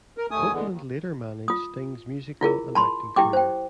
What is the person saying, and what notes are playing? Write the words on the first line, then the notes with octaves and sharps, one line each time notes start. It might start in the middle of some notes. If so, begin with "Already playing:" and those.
Copeland later managed Sting's musical and acting career.
A#4
D#2 A3 G#5 D#6
D3 E3 G#3 B3
D#2
F4 D#6
E4 F4 G#4 A#4
A5 B5 C6
E4 G4 G5 D6
C5 G5